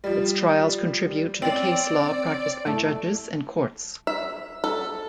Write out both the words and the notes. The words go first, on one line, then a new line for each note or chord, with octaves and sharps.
Its trials contribute to the case law practiced by judges and courts.
F3 G3
C4 C#4 D5 G5
A3 E4 A5
E5
A4